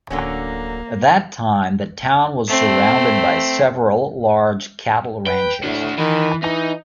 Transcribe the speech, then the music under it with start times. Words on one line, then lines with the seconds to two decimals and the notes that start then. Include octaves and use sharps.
At that time the town was surrounded by several large cattle ranches.
0.10 D1 D3 F#3 A#3 C#4
2.48 A3 C4
5.27 B4 G5
5.63 A2 D4 F#4
5.98 D#3 E3
6.43 E3 D#4